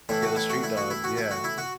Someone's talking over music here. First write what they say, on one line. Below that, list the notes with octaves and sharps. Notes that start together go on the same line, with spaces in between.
Yeah, those street dogs, yeah.
A2 E3 E4
F#4
E4
F#4
E4
F#4
E4
F#4
E4
F#4
E4
F#4